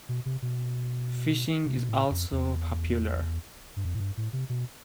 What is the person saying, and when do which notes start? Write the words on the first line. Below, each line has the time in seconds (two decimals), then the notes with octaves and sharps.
Fishing is also popular.
0.09 B2
0.26 C3
0.42 B2
1.66 C3
1.78 B2
1.89 A2
2.11 F2
2.32 E2
3.76 G2
3.85 F2
3.94 A2
4.00 G2
4.17 A2
4.33 C3
4.49 B2